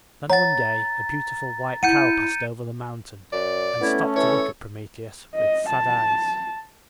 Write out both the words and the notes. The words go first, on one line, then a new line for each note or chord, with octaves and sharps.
Then one day a beautiful white cow passed over the mountain, and stopped to look at Prometheus with sad eyes.
C#5 F#5 A#5 A6
E4 F#5 G6 C#7 D#7
F#2 D5
A3 B3 C#4 E4
E3 A4 C#5
D#5
A5